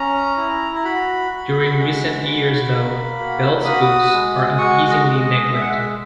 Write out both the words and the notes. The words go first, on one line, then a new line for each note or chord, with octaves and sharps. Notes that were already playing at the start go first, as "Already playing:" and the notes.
During recent years though, Bell's books are increasingly neglected.
Already playing: C#4 A#5
E4
A#5
F#4 B5
F#4
G#3
F#4
A#3
F#4
F#4 D#6
G#3
F#4 C#6
D#5
G#3
D#5
G#3 E5
F#5
E5